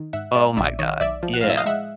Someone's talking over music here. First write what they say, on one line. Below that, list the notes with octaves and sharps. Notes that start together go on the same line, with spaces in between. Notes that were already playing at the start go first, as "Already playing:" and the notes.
oh my god. Yeah.
Already playing: D#3
G#2 E5 F#5
G#3 D5 E5
A#1 D5 E5
D#3 C#5 D#5
B1 D5 E5
F3
F#5
A2 F5
E5
D#5 F5
G#3 E5 F#5